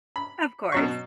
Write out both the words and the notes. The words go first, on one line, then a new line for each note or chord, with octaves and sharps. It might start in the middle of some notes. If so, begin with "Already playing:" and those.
Of course.
B5
B2 F#3 C#6